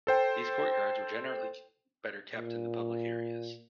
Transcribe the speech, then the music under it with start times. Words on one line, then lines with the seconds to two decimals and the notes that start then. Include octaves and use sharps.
These courtyards were generally better kept than the public areas.
0.07 A4 C5 G5
2.35 A#2